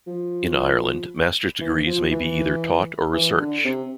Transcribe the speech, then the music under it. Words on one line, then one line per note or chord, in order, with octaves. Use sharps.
In Ireland, master's degrees may be either Taught or Research.
F3
E3
F3
E3
E3
D3
C3